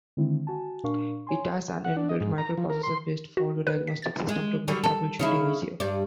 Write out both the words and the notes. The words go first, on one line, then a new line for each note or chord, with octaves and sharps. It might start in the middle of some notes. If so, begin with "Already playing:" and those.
It has an inbuilt microprocessor based fault diagnostic system to make trouble shooting easier.
D3 D#3 G#3 C4 E4
F#4 G#5 A5
A#2 D4 A#4 F5 C#6
C#5 G#5 C6
F#5
D4
D#5
G#2
A#5
F3
A#4
C6
F#4
B4
B6
A6
G#3
D3 F#3 G3
A4
C#3 D#4 E4
G2 D5